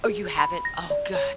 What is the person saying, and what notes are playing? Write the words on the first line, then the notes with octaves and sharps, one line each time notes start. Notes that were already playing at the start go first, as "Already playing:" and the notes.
Oh, you haven't? Oh, god,
G#4
B5
A#6
D5
C#5